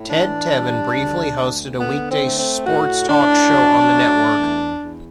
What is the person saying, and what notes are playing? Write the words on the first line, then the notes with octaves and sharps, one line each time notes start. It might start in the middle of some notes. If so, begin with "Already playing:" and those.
Ted Tevan briefly hosted a weekday sports talk show on the network.
Already playing: A2
E3 D4
G3
D2
D2
D3 B3
C4
A3
C4
A2 F#4
A2 D4
F#3
A3
E2
E2